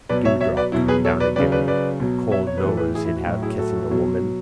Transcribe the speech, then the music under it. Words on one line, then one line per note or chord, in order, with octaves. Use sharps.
Dewdrop coming down again. Cold nose he'd have kissing a woman.
B2 F#3 B4 D5
C#5 E5
C#5 E5
B4 D5
B2 F#3 E4
G#4 B4
A4 C#5
B4 D5
C#3 F#3 B4 D5
B4 D5
B4 D5
B2 F#3
C#5 E5
C#5
B4
A2 E3 A4
G#4 B4
E4 G#4
E4
F#4
A2 F#3 F#4
E4 G#4
F#4 A4
B2 F#3